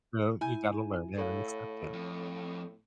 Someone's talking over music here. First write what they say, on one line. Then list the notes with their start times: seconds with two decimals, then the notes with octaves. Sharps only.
So, you gotta learn that and accept it,
0.41 E4 G#5 G6
1.18 A2 A4 C#5 F5
1.93 F2